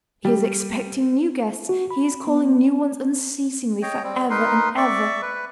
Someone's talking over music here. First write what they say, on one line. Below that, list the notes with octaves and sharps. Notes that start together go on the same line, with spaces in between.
He is expecting new guests, He is calling new ones unceasingly for ever and ever....
G3
F#4
B5
B3
C#5 D#5 G5
G3 C4
D#4 A#4 B4 C6
D5 E5 C#6
B4